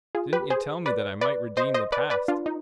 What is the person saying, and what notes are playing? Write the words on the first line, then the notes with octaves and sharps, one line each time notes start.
Didn't ye tell me that I might redeem the past?
F4 G#4
G4 B4
G#4 C5
B4 D5
B4 D5
C5 D#5
C5 D#5
B4 D5
B4 D5
D4 F4
D#4